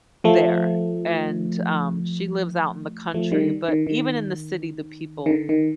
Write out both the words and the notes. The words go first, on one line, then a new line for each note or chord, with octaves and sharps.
there, and, um, she lives out in the country, but even in the city the people
F3 A3
F3 A3
D#3 G3
D#3
D#3
D#3
D3
D#3